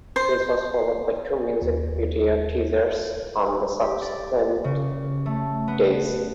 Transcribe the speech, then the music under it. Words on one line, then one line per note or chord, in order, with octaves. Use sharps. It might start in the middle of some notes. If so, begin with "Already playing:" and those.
This was followed by two music video teasers on the subsequent days.
C5
D#2
G4
D5
C#3
A3
B3